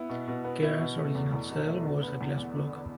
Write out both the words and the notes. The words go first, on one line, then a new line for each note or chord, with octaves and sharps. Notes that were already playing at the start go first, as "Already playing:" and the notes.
Kerr's original cell was a glass block.
Already playing: B3 E4
B2
B2
B3
E4
B2
A3
E2
E2
B2
A3
D3
B3
E2
E2
D3
B3